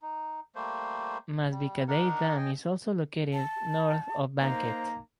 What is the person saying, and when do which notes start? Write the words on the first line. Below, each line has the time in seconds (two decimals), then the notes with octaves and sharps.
Mazvikadei Dam is also located north of Banket.
0.02 D#4
0.55 G3 A3 A#3 C5
1.51 G3
1.88 D4 D#4 A#4 F#5
2.37 D#5 G5 G#5
3.33 A5
4.41 A#3 D#4 C5 A#5